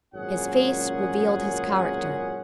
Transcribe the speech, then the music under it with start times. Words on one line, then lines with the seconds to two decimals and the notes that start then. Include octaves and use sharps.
His face revealed his character.
0.14 G#1 F#2 A#2 C#4 G#4 F#5